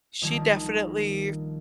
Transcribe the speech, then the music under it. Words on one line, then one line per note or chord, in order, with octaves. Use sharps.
she definitely,
A#1 D#3 G3 F4 A5 G#6